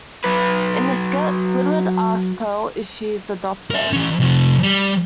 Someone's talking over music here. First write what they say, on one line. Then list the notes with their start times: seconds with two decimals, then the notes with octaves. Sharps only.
In the skit, Squidward asks Pearl if she is adopted.
0.24 F#3 B4
3.71 A#4 E5
3.93 E3 C#4
4.20 C3 F3
4.63 G3